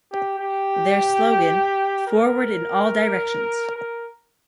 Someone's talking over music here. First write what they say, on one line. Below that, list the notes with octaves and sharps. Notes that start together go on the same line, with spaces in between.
Their slogan, Forward in all directions!
G4
G4
A#4
A#4